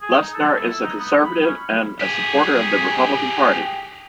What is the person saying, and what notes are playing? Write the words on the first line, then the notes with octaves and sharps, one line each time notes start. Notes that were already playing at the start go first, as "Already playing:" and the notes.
Lesnar is a conservative and a supporter of the Republican Party.
G#4
D#4
A4
E4
D#4
B3
B5
C#4
G4 G#4